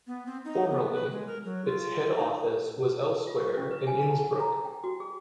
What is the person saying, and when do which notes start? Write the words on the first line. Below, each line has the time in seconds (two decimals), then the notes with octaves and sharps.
Formerly its head office was elsewhere in Innsbruck.
0.07 B3
0.26 C4
0.45 D#4
0.70 B3
0.93 B4
1.11 G#3
1.27 A#4
1.45 F#3
1.66 F4
2.13 D#4
3.27 F4
3.40 C#6
3.57 C#4
3.71 B4
3.87 G#5
4.10 A5
4.24 F#5
4.40 A#5
4.65 G5
4.84 F#4
5.00 G#4